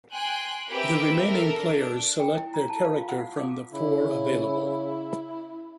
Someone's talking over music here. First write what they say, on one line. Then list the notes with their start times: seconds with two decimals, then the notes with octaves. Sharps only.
The remaining players select their character from the four available.
0.11 G5 G#5 C6 F#6
0.70 C4 G4 A#4 B4 E5 G5
1.26 A4 A#4 E5
1.59 D4
2.20 G5
2.37 E4
2.54 A#5
2.70 A5
2.85 F5
2.96 F4
3.09 F#5
3.20 F5
3.37 D6
3.73 C#3 E4